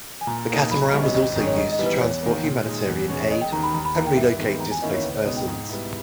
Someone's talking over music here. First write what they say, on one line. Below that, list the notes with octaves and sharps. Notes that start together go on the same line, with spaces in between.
The catamaran was also used to transport humanitarian aid, and relocate displaced persons.
G#5
A#2 A#5
A#3 D#4
B1 B5
A#5
B2 G3 C#4 E5
D#5
G#1 D#5
G#2 D#3 G#3 C#4
C#5
G#2 D#5
D#5
E3 G3 B3
B4
E2 C#5
D#3 A#3
A#2
G#3 D#4
E2
B2 G#3 C#4
C#5
E1 D#5
G5
D#2 D#3 A#5
B5
D#2 A#5
B5
D#3 A#3 A#5
G5
G2 E5
D#3 G#3 B3
E2 A#5
G#5
D#3 A#3 C#4 E4 D#5
C#5
C#2 B4
C#5
B2 G#3 B3 D#4 D#5
G5
G#2
G3 B3 E4